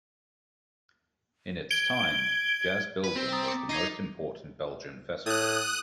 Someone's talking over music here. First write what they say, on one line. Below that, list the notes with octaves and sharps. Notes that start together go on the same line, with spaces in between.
In its time Jazz Bilzen was the most important Belgian festival.
G#6 D7 G7
B4 B6
C4
A#5 D#6 A6
D6 C#7
D#4 G#6 C7 D#7
A2 D#6 F#6